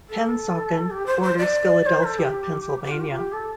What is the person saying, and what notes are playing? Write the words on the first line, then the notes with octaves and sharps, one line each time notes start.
Pennsauken borders Philadelphia, Pennsylvania.
A4
G4
C5
C5
D5
C5
A4
G4
G4
F4
G4
F4
G4
A4